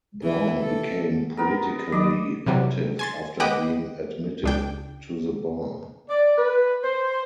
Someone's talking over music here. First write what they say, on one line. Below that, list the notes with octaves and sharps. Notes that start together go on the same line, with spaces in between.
Brown became politically active after being admitted to the bar.
E3
A4
B3 A#4
F#3 D5 D#5 D6
C3 E3 F#3 G3
G#5 C6 A6
B4 D#5 F#5 G5 D6
C#2 D4 G5
D5
B4
C5